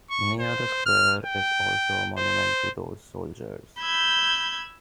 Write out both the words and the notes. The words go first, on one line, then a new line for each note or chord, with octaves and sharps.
Near the square is also a monument to those soldiers.
C#6
C5
F6
G5
C5
B5 E6 G6 G#6